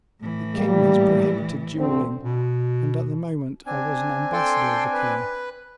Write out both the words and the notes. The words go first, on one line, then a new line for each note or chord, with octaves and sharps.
"The king has prohibited duelling, and, at the moment, I was an ambassador of the king."
A2 E3
G3 A#3
D2 C4
B2
C4 D4 G#5
A4 G5 C6
B4